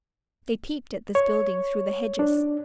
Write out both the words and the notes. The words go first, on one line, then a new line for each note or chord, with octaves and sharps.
They peeped at this building through the hedges.
C#5
D4